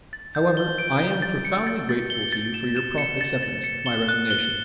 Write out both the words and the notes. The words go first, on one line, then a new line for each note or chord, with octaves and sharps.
However, I am profoundly grateful to you for your prompt acceptance of my resignation.
A6
G6
G7
D7
G7
A6
C#7
A6
A6
G7
A6
E7
E7
C#7
A6
A6
C#7
G7
F#6
G7